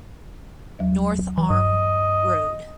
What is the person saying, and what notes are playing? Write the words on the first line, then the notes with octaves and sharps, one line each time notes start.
North Arm Rd.
D#2 F#3
E3
G2 D#5